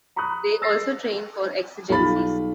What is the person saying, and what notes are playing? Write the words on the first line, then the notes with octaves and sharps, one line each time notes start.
They also train for exigencies.
A#5 B5 C#6 D#6 F#6
E6 A6 A#6 C7
B1 G3 F4 F5 B5 A6